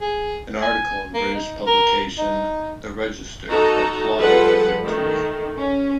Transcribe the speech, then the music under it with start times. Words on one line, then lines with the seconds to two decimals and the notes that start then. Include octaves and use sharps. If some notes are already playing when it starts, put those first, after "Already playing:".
An article in British publication "The Register" applauded the victory.
0.01 G#4
0.62 G#5
1.14 A#3
1.35 D#4
1.67 A#4
2.18 D#4
3.50 D#4 F#4 A4 D#5 A#5
4.17 F3 G3 G#4 A4 B4 F#5
4.83 D#3 A3
5.57 C#4